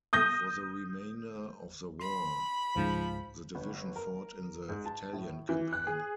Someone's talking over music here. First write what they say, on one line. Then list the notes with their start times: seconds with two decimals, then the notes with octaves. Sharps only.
For the remainder of the war, the division fought in the Italian Campaign.
0.13 D#6 G6 A#6
2.00 B5 C6
2.76 C#2 G#2 F3
3.55 G1
3.96 A#4
4.69 G#2
4.86 A5
5.13 A2
5.49 E3
5.73 F#6
5.87 G#4